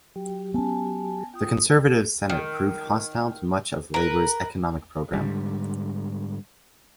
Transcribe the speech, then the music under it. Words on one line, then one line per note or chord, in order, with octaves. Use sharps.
The conservative Senate proved hostile to much of Labor's economic program.
F#3 G4 G5
B3 C#4 G#5 A5
F4 G5 D#6
D#3
A#4 B4
G#2 D3 G3